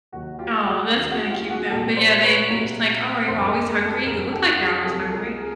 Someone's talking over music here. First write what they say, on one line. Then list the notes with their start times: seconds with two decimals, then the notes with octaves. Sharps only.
Aw, that's kinda cute though, but yeah, they've been just like, "Oh, are you always hungry? You look like you're always hungry."
0.12 D#2 D#3 F#3 F#4
0.39 F4 G4
0.65 F#4 G#4
0.91 D#2 D#3 F#3
1.11 F#4 G#4
1.31 F4 G4
1.50 F#4 G#4
1.65 G#4
1.70 C2 A#2 F#3 G4 A4
1.96 C5 D5
2.23 B4 C#5
2.49 C2 A#2 F#3
3.27 F#1 F2 D3 A#4 C5
3.47 G#4 A#4
3.67 G#4 A#4
3.86 G4 A4
4.06 F#1 F2 D3 G#4 A#4
4.32 G4 A4
4.58 F#4 G#4
4.84 C#2 C3 F3 G4 A4
5.02 A4
5.11 G#4 A#4
5.37 G#4 A#4